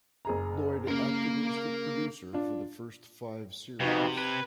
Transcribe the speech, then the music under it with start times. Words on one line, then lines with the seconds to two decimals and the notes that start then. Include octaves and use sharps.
Lloyd acted as the producer for the first five series.
0.25 F#1 G#4 A#5
0.88 C#3 A#3 A#4
2.33 D4 F4
3.80 F2 C3 D#4 F#4 B4
4.18 B4 G#6